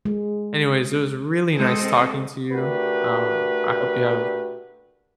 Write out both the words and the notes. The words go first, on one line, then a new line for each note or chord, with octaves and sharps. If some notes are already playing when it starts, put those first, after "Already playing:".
anyways, it was really nice talking to you, um, I hope you have
G#3
G#3 C4 A4 D#5
A3 D4 F#4 G4 A#4 B4